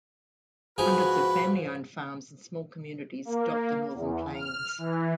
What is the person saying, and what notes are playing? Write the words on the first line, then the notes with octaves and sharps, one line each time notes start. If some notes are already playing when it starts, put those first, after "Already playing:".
Hundreds of family-owned farms and small communities dot the Northern Plains.
G#2 F3 F#4 G#4 B4
A#3
E2
F6
E3